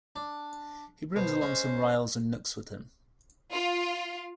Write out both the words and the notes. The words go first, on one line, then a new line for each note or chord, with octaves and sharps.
He brings along some Ryls and Knooks with him.
D4
B2 C5
G#3 C#4
F4